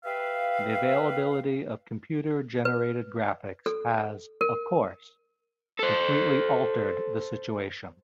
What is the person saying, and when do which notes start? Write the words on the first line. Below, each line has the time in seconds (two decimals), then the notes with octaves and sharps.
The availability of computer-generated graphics has, of course, completely altered the situation.
0.04 G4 B4 E5 F5
2.65 B4
3.66 A4
4.41 A#4
5.79 A4 C5